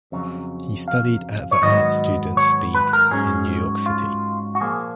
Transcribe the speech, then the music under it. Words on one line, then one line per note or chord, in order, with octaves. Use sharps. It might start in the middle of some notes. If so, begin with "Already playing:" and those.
He studied at the Art Students League in New York City.
F2 C#3 F#3
F5
C#5
G#2 D#3 F#3 B3 D#5
C#5
B4
A#4
G#2 F#3 C#4 G#4
F4
F#4
A#2 F3 A#3 G#4